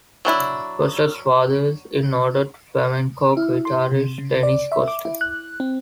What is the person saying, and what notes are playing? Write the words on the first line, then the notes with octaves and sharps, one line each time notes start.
Koster's father is noted flamenco guitarist, Dennis Koster.
F#3 D4 E4
E4
C6
C3
C#3
D5
E5
D6
E4
F#6
C4